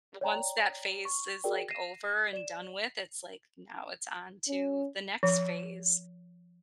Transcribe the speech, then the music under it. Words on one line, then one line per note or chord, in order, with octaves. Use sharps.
once that phase is, like, over and done with, it's like, now it's on to the next phase.
C#5 D5 G5 A#5
C#6
F#4 G#4 A#4 D5 G5
A#6 C7 D#7 E7
D5 E7
C#4
F3